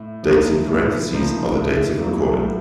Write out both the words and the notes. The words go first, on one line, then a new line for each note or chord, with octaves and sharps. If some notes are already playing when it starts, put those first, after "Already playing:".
Dates in parentheses are the dates of recording.
Already playing: A2
F3 A#3 D#4
A2
F3 A#3 D#4
A2
F#3 A#3
A2